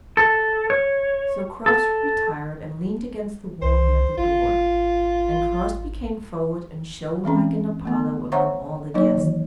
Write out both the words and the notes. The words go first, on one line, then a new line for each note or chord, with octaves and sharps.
So Crofts retired and leaned against the wall near the door; and Crosbie came forward and shone like an Apollo among all the guests.
A4
C#5
A4
C2 C5
G#1 F4
E3 G#3 C4 C#4
A3 B3
C5 C#5 E5 F#5 A#5 C#6
F#3 A#3 D#4 C#5
D#3 E3